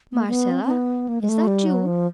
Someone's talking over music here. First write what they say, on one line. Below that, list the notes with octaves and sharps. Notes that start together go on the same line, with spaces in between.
"Marcella, is that you?"
A#3
A#3
B3
C4
C4
B3
A#3
G#3
A3
G3
F#3
F3